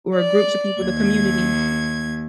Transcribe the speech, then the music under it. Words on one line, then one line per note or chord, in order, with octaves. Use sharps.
where groups of people the community,
D5
D#2 G#6